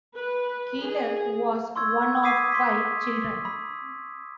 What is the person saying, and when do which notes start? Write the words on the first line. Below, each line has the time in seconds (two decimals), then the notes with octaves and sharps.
Keeler was one of five children.
0.15 B4
0.82 G#4
1.75 C6 C#6 E6 G#6
2.23 D6 D#6 G#6 B6 C7 D#7
2.52 C6 B6
3.45 B5